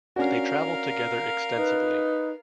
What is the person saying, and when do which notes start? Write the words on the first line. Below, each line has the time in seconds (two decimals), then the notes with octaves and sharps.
They travelled together extensively.
0.16 C#4 D4 F#4 A#4 F5
1.57 D#4 B4